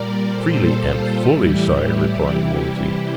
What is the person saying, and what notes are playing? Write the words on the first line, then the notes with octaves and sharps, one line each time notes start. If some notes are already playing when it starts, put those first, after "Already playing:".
"Freely and fully, sire," replied Wolsey.
Already playing: A#2 G3 A#4 D5
A#2 G3 A4 C5
F4 A4
A2 E3 G3 E4 G4
C3 E3 G3 E4 G4
E4